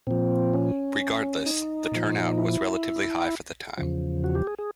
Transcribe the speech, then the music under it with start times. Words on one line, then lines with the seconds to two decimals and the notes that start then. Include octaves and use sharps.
Regardless, the turnout was relatively high for the time.
0.07 A#2 F3 C4
0.54 C#4
1.46 D#4
1.92 A#2 F3
2.38 E4
3.78 E2 C#3 F3
4.24 F#4
4.35 G4
4.47 G#4
4.59 G#4